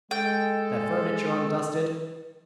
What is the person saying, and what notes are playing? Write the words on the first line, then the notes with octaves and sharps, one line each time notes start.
Their furniture undusted.
G#3 A4 G5